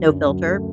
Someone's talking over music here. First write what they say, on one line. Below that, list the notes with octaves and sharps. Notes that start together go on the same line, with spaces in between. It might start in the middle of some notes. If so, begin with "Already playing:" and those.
No filter.
Already playing: D2 F#3
F#2
F#3
A3